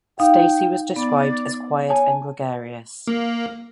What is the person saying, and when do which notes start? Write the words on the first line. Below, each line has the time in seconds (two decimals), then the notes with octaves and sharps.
Stacey was described as quiet and gregarious.
0.19 D#4 F5 G5
0.96 B3 D5
1.89 C#5 G#5 A5
3.08 A#3